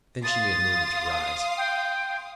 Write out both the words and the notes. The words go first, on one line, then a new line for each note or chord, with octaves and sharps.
Then she made a movement to rise.
F5 C6 D#6 A6
G5